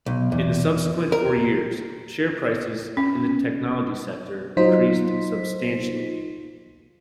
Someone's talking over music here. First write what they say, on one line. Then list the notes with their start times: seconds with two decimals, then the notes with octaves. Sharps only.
In the subsequent four years, share prices in the technology sector increased substantially.
0.06 B1
0.32 E2
1.12 A#4
2.97 C#4
4.57 F#3 D#4 F4 C5 B6